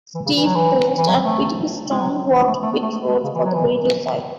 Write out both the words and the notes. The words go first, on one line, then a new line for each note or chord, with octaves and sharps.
Steve Post and Pete Pistone worked pit road for the radio side.
E3
C#3
E3
F#3
E3
E3
F#3
A3
G#3
F#3
E3
A3
A3
B3
A3
A3
G#3
C#3
E3
F#3
E3